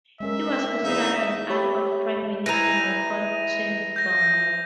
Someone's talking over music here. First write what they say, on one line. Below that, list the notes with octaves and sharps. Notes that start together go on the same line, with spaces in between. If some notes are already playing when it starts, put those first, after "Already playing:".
He was considered an ally of Prime Minister Malcolm Turnbull.
G#3 C#4 A#4 E5
E2 D#4 E5 F5
G4 C#5 B5
E3 D#4 A#6 D#7 F7
G6 A#6